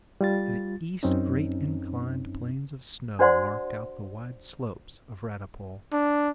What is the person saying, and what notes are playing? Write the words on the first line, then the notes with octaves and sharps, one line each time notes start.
To the east great inclined planes of snow marked out the wide slopes of Radipole.
G3 F4 A6
F#2 C4 C#4 D#4
D4 F#4 C5 D5 F#5 C6
D4